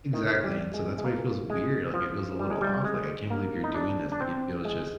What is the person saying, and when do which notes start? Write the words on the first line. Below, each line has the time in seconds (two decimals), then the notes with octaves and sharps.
Exactly, and so that's why it feels weird. Like, it feels a little off. Like, I can't believe you're doing this. Like, it feels just
0.13 D#3
0.44 G3
0.74 G#3
0.98 G#3
1.05 A#3
1.50 G#3
1.94 F3
2.39 G3
2.51 G#3
2.61 G3
2.84 G#3
3.30 A#3
3.64 D#4
3.74 D4
4.12 D4
4.21 C4
4.65 G#3